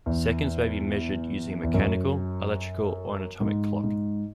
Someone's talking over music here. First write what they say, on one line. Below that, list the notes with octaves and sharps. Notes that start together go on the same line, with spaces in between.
Seconds may be measured using a mechanical, electrical or an atomic clock.
E2
E2
F#2
G#2
G#2